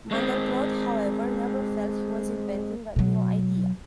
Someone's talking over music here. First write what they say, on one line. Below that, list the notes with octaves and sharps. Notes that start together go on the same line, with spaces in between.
Mandelbrot, however, never felt he was inventing a new idea.
G#3 C4
B2 F#3